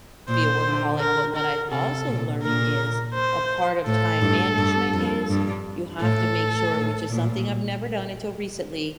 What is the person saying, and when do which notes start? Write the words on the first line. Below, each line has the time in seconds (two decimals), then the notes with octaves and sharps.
be a workaholic, but what I've also learning is a part of time management is you have to make sure, which is something I've never done until recently,
0.28 A#2 C5
0.65 D3
0.99 A#4
1.36 A#4
1.71 C3 A4
2.08 A#2
2.43 A#2 A#4
3.14 C5
3.86 A2 A4
4.21 G2
4.58 G2
4.93 F2
5.29 G2
6.01 A2 A4
6.72 A2
7.08 A#2